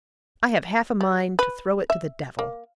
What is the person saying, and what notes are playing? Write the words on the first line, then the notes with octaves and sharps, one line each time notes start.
I have half a mind to throw it to the devil.'
G3
B4
E5
A#3